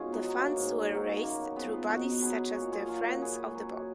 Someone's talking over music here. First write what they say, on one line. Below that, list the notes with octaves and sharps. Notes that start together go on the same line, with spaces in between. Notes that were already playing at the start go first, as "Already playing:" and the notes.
The funds were raised through bodies such as the Friends of the Bog.
Already playing: G#2 B2 C#4 F4 G#4
B3 D#4
F#3
A#3 C#4
G#2
D#3 F#3
F#2 A#3
B3
C#3 F3 B3
B3 D#4
B2 D#4 F#4
F#3 G#4 B4
A#2 F#4 A#4
F4 G#4
F#3 F4 G#4
F#4 A#4
A#2 G#4 B4
F#3